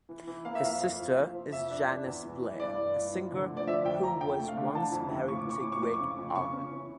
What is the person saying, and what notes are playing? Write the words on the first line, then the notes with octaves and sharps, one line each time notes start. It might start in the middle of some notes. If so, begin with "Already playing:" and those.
His sister is Janice Blair, a singer who was once married to Gregg Allman.
E3
E3
A#3 F5
E5
F2 F5
F2
F3
F3
F3
F2 E5
D4
E3
E2
E3
E3
G2 D5
G2
E3
F3
D3
A3
D5
F3 E5
F2 G5
F2 A#5
D3 G5
A3
F5
D3
E3 A5
F2
C#3
A2 C#6
D6
E3 C#6
A2 D6
C#6
F2 D6
C#6
C#3
F2
C#3 C#6
C#4
E3